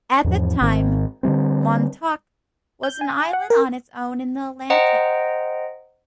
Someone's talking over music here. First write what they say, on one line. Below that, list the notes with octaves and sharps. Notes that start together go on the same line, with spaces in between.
At that time, Montauk was an island on its own in the Atlantic.
E2 G#2 F3
G#1 G#2 D#3 C4
D3 E3 G3 C4
G6
G#5
F#5
A#4
C5 D#5 F#5 G5 A#5